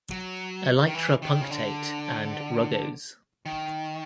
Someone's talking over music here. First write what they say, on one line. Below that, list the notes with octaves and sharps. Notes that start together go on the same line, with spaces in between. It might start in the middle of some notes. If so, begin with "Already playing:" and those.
Elytra punctate and rugose.
F#3
D#3
E3
D#3
C#3
D3
D#3